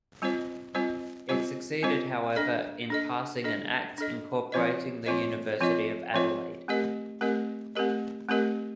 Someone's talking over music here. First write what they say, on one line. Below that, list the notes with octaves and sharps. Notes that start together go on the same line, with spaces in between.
It succeeded, however, in passing an act incorporating the University of Adelaide.
G3 C4 F4 C5 D#5
G3 C4 F4 C5 D#5
G3 C4 F4 C5 D#5
G3 C4 F4 C5 D#5
D4 A4 D#5
D4 A4 D#5
D4 A4 D#5
D4 A4 D#5
F3 C4 F4 C5 D#5
F3 C4 F4 C5 D#5
F3 C4 F4 C5 D#5
F3 C4 F4 C5 D#5
A3 C4 G4 A#4 D#5
A3 C4 G4 A#4 D#5
A3 C4 G4 A#4 D#5
A3 C4 G4 A#4 D#5